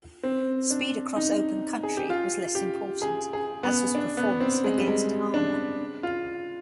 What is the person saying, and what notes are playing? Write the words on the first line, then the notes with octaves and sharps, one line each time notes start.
Speed across open country was less important, as was performance against armour.
C4
D4
D#4
G#4
G4
F4
G4
G#4
G#4
B3
D4
B3
C4
G#3
G3
G#3
D4
F4